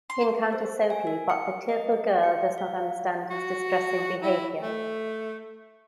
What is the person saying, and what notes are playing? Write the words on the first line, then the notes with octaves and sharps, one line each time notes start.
He encounters Sophie but the tearful girl does not understand his distressing behavior.
C6
C5
G#5
A#4
C#7
D#5
C#7
F5
F#4
E4
A3